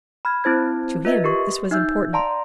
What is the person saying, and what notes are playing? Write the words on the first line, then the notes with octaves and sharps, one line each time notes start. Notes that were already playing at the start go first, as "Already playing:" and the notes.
To him this was important.
B5 F6 G#6
C4 E4 C5 G#6
F4 B4 D#5 E5
G4 A#4 C#6
D#4 E5 E6 G6
D5 F5 A5 A#5 C6